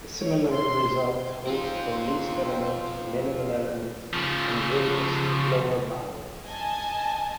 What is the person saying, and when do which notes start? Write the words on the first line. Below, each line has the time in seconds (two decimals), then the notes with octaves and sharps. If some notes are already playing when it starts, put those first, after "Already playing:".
The similar result holds for least element, minimal element and greatest lower bound.
0.20 C#5
0.51 C6
1.47 C4 C#4 D#4 F4 C6
4.13 C#3 F3
6.47 D#5 G#5 A5